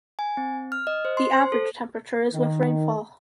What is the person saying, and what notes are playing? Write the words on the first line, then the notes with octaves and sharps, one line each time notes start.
The average temperature is with rainfall.
G#5
C4
F6
D#5
C5
C6
C5
A4
D#3